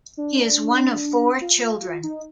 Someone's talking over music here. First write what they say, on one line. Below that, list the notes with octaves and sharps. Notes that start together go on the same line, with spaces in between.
He is one of four children.
D4
F4
D#4